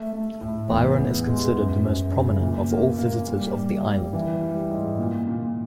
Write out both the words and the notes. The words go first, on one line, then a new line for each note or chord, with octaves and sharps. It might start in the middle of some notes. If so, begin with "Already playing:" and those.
Byron is considered the most prominent of all visitors of the island.
Already playing: A3
A3
A2
E2
E2
G#3
F#2
F#2
C#3
A#2
A#3
A#3
G3
G3
G3
E3
G3
G#2
A#2
A#2